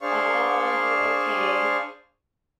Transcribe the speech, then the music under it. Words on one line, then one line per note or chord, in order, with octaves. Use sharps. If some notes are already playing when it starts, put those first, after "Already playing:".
Oh, okay.
D4 G#4 C5 D5 F5 C#6